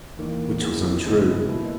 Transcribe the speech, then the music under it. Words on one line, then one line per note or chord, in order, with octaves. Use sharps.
Which was untrue.
E2 D#3 A#3
E3 B3 E4 G#4
D#2 C#3 G#3 B3 E4
B2 A#3 E4 G#4 B4